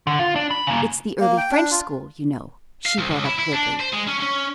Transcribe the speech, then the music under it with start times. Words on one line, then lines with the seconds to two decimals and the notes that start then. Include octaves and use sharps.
"It's the early French school, you know," she brought up glibly.
0.07 D3
0.19 F4
0.36 D4
0.51 B5
0.67 C#3 A#3
1.20 A#3
1.37 G5
1.51 D4
1.71 F4
2.86 F5
2.99 C2
3.11 C#2
3.25 E4
3.39 E4
3.53 D4
3.80 C5
3.94 G#3
4.09 C#4
4.22 C#4